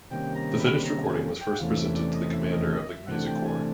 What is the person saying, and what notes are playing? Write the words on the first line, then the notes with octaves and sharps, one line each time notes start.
The finished recording was first presented to the commander of the music corps.
C3 D#3 G3 A#3 C#4 G5
A#5
B5
A#5
G#5
G5
F#5
E2 C3 E3 A3 C#4 F5
E5
D5
D#5
E5
D#5
D#5
E5
C3 E3 A3 D4 F#5
G5
G#5